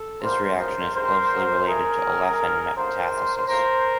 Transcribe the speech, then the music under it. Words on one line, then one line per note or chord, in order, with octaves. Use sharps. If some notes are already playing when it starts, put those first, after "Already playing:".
This reaction is closely related to olefin metathesis.
Already playing: A4
E2 B2 G3 A#3 A#4 C5
F#2 C#3 F3 G#3 A#4 C5
G2 D#3 G#3 A#4 C5
F#2 C#3 F#3
F2 C3 E3 G#4 A#4
A#2 F#3 A#3
F2 D3 G3
F#2 D3 G3 A#3 A#4 C5
G#2 E3 G#3
A2 F3 A#3 A#4 C5